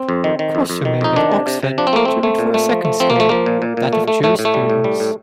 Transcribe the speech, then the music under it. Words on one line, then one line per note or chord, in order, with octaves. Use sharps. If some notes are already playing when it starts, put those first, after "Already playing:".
Cross remained at Oxford to read for a second school, that of Jurisprudence.
Already playing: C4
F2
D#3
D#3
F2
F2
D#3
F2 D#4
D#3 D4
C3
C3
C3
F3 D4
C4
A3 A#3
A3 C4
A3
A#2
A3
F3
A3
F3 C4
A#3
F3 A3
F3 A#3
A#2
A#2
A#2
A3
A3
A2 A3
A2
A3
G3
A2
G3
A2